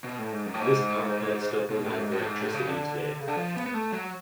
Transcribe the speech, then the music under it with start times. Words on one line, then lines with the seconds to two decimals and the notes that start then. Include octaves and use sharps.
This power plant still provides electricity today.
0.04 B2
0.18 A2
0.32 G#2
0.46 F#2
0.54 A2
0.60 G#2
1.70 B2
1.84 A2
1.99 G#2
2.12 A2
2.27 G#2
2.41 A2
2.54 C#3
2.68 D3
3.20 C#3
3.28 D3
3.37 F3
3.56 B3
3.66 B3
3.74 A3
3.92 F#3